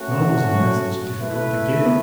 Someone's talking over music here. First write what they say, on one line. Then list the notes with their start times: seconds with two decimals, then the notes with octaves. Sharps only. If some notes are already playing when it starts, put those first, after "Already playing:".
Nor was the message difficult to give.
Already playing: A3 C#4 F#4
0.21 E3
0.54 F#3
1.20 A3 E4 B4
1.86 B3